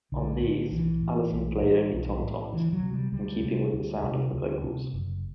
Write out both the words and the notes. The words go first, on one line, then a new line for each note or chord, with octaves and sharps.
On these, Allison played only tom-toms, in keeping with the sound of the vocals.
B1 D3
A2
B1 E3
A2
B1
A2
B1
A2
D2 E3
F#3
C3
G3
D2 G3
C3
D2
C3
D2
C3
F#1